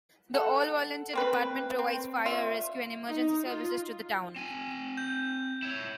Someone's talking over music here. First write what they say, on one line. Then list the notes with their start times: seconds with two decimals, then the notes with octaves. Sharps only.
The all-volunteer department provides fire, rescue, and emergency services to the town.
0.34 A4 F#5
1.13 A#3 C4 B4
1.79 C4
2.26 F4 E5
3.09 D#4
3.46 F4
4.36 C4 G#5
4.97 G6
5.62 E4 C#5